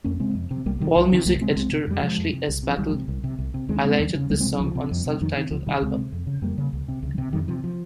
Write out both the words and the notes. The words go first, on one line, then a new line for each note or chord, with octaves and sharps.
Allmusic editor Ashely S. Battel highlighted this song on self-titled album.
F2 A#3 C#4
C3 G#3 C4
F2
C3
C2 G3 A#3
C3 D#3 G3
C2 F3
C3 D#3
C2 G3 A#3
C3 G#3 C4
C2 G#3 C4
C3
F2 G3
C3 F3 G#3
F2
C3
C2
C3
F3
C2 D#3 G3
F3 G#3
C3
C2
C3
C2
C3
D#2 G#3 C4
C#4
C#3 G#3 C4
D#2
C#3
C#2 G3 A#3
G#3 C4
C3
C#2 F3
C3
F2
C3
F2 D#3
C3 D#3
C#2 F3
C3 D#3 G3
C#2 G#3 C4
C3
F2
C#3
F2 G3 A#3
C#3
C#2
C3
C#2
C3
F2 D#3 G3
C3 F3
F3